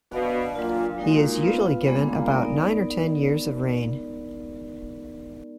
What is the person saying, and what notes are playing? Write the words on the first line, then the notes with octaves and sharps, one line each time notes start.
He is usually given about nine or ten years of reign.
B2 D4 F#4 D5 F5
A#2 F#3 D4 F4
A#2 G#3 D#4 F#4 A#4
B3 F4 B4 F5
A#2 G#3 B3 D4 G#4
B3 D#4 A#4 D5